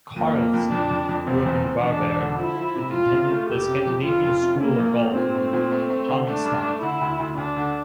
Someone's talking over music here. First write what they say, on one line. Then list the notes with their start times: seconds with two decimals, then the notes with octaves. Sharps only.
Carlsson grew up in Varberg and attended the Scandinavian School of Golf in Halmstad.
0.16 F2 A#3
0.35 F2
0.54 F2
0.72 F2 D4
0.91 F2
1.09 F2
1.27 E1 C4
1.46 E2
1.65 E2
1.82 E2 D4
2.01 E1
2.20 D3
2.38 F3 E4
2.57 F3
2.76 C3
2.93 F2 F4
3.12 C3
3.30 A3
3.50 F1 G4
3.68 C3
3.87 F2
4.05 F1 F4
4.23 F2
4.42 C3
4.60 A#3 E4
4.78 A#1
4.97 A3
5.16 A#2 C4
5.34 A3
5.53 A#2
5.71 A3
5.90 A3
6.08 D3
6.27 A3 D4
6.45 G2
6.64 A3
6.82 D3 E4
7.01 D2
7.19 D2
7.37 D2 D4
7.56 D3